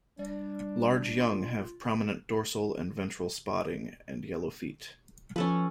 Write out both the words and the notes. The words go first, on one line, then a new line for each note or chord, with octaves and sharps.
Large young have prominent dorsal and ventral spotting and yellow feet.
G3 D4
F4
F3 C#4 A4 B4